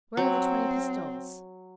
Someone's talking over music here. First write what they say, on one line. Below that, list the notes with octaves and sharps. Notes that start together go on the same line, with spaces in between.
"Where are the twenty pistoles?"
F#3 C4